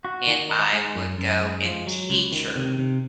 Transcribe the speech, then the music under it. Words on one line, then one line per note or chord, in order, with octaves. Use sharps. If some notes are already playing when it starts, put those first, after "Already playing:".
and I would go and teach her.
F#4
D#3
D#4
G#3
F#2
F#2
G#3
F3
F#3
C#2
D#3
C3
C3